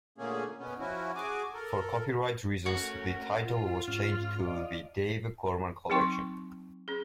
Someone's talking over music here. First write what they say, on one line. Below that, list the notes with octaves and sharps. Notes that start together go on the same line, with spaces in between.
For copyright reasons, the title was changed to "The Dave Gorman Collection".
A#2 D3 A3 A#3 C#4 G#4
B2 B3 C#4
F3 C#4 E4 F#4
F#4 G#4 G#5 D6
A4 A#4
A3 C#4 F#4 A#4
F4
G#2 C#4 F6
D5 D#5 F5
F#3 C4 D#4 G5 C6 C#6
C#4 G#4